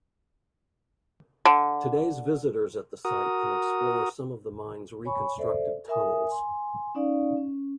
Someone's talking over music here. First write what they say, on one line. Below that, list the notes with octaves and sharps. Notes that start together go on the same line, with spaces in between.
Today visitors at the site can explore some of the mine's reconstructed tunnels.
D3
F#4 A#4 D#6
C#5 G#5 B5 C#6
A4 C5 D5 E5
A#4 E5 G#5 D#6
G#5 C6
C#4 D#4 D5 F5
C#4